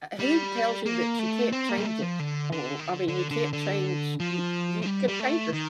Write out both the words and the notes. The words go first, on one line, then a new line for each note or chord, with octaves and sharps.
u uh, who tells you that you can't change it along I mean, you can't change you you can change yours
G3
A#3
A3
C4
A#3
G3
A3
F3
D3
D3
D#3
D3
D3
D3
D3
F3
F3
G3
G3
A3
D#3